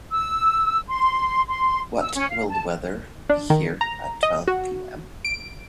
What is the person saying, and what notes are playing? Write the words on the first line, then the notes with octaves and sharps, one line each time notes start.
What will the weather be here at twelve P.m.?
E6
C6
C6
E6
C#4
F5
A5
D4
D#3
A#5
D#5
F#4
D7